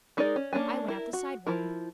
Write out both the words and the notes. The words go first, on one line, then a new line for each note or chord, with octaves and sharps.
I went out the side one.
G#3 D#4 G#4 A#4 D5
C#4
A#3 C#4 D4 G#5
E4 A#4
F#4
F3 E4 A#4